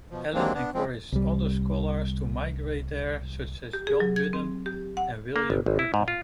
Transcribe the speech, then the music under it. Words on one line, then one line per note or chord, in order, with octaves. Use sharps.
Allen encouraged other scholars to migrate there, such as John Budden and William Burton.
B2 F3
D#2 F#3 G#3 A#3 C4 D4
B3 D4
F3 G#3 C4
C2 G3
G4
G#4
F#3
G#6
C4
G4
F#5
A#3
G1
G#1
E4
G#2
F4